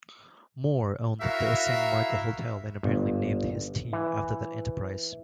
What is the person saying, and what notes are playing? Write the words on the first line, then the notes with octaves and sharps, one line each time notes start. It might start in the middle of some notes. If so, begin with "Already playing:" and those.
Moore owned the San Marco Hotel and apparently named his team after that enterprise.
E4 F#4 A#4 E5 F5
G1
E3